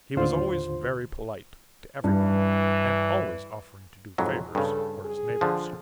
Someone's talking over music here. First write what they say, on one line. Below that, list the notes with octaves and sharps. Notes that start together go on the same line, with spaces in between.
He was always very polite to every one and always offering to do favors for his neighbors.
D#2 A2 D3 F4 C5 C6
G2 E3
F2 G#2 F#3
G2 C#3 A4
G#4
D3 F3